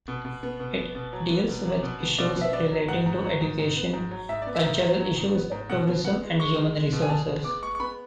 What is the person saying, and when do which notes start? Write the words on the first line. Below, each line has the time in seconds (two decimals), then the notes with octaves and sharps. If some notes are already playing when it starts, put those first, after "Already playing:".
It deals with issues relating to education, cultural issues, tourism and human resources.
0.08 B2
0.25 B2
0.43 B3
0.60 B2
0.77 B3
0.95 B2
1.13 F#3
1.30 B3
1.48 B2
1.65 F#3
1.83 B2
2.00 B3
2.18 B2 D5
2.36 B3
2.41 E5
2.53 B3 D5
2.71 F#3
2.88 G#2 F#5
3.06 G#2
3.24 F#3
3.41 G#2
3.59 G#2
3.76 B3
3.93 G#2
4.11 F#3
4.29 G#2 E5
4.42 B3 D5
4.55 E5
4.64 G#2
4.82 F#3
4.99 F#3
5.17 G#2
5.35 B3
5.51 G#2
5.70 B2 F#5
5.87 B3
6.04 B3 F#5
6.22 G#3
6.40 G#3 C#6
6.57 G#3
6.75 G#3
6.92 B2
7.02 G#5
7.10 B2 A5
7.28 G#3
7.44 B3 D6
7.63 G#3 C#6
7.75 C#6
7.80 B3 B5